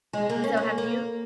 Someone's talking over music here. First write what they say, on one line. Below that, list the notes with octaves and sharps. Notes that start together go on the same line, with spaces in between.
So have you
G#3
A#3
C#4
A#3
A#3